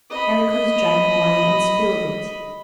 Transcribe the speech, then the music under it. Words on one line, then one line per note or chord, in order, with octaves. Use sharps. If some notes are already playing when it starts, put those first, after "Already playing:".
Heracles drank wine and spilled it.
D#5 B5